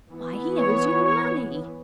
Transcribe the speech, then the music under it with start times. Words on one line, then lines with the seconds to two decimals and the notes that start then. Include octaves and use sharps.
Why, he owes you money!'
0.11 E3 B3
0.59 C#5
1.05 C#5